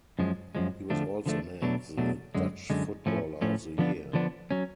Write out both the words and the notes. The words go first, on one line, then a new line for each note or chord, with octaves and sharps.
He was also named the Dutch Footballer of the Year.
F#2 F3 G#3
F#2 F3 G#3
D3 F3 A3 D4
D3 F3 A3 D4
B2 F#3 A3 D4
B2 F#3 A3 D4
F#2 D3 G#3
F#2 D3 G#3
A2 F3 A3 C#4
A2 F3 A3 C#4
D3 F3 B3 D4
D3 F3 B3 D4
F#3 C#4